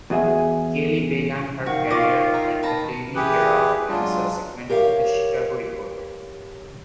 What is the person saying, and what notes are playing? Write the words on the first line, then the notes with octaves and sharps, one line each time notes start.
Kelly began her career at the Daily Herald and subsequently the Chicago Reporter.
E2 F#4 G#4 E5
D#3 F#4 F5 C#6
F4 D#5 F5 C#6 D6
E5 A#5
B4 A5 A#5
E3 G4 G#4 B4
F#3 G#3 D4 F4
G4 A#4 C#5 F5